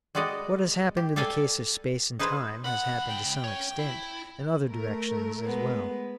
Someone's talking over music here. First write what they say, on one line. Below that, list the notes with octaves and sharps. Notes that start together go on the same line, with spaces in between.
What has happened in the case of space and time has happened, to some extent, in other directions as well.
G3 G#3 F#4 D5 D#5
G4
G4 A4 D5 F5 G5 G#5
D#4 G#4 B4 C5
C#2 F#5 B5
G5
C#4 C#5
E4
A3 A#4
G#3 B3